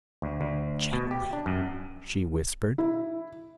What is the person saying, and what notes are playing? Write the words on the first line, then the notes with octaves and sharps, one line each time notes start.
"Gently ..." she whispered.
D2
D2
B2
G4
D4
F#2
E4